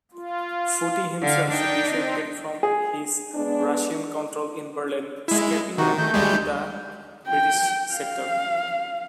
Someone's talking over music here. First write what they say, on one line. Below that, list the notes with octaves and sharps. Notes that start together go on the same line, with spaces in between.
Foote himself defected from his Russian control in Berlin, escaping to the British sector.
F4
D3 F5
D4 D#4 G5
C4
G#4
G#3 B3 D4
G#3 E4
C3 D#3 D#4 F#4
A3 G6
D2 G3 G#3
G5
F5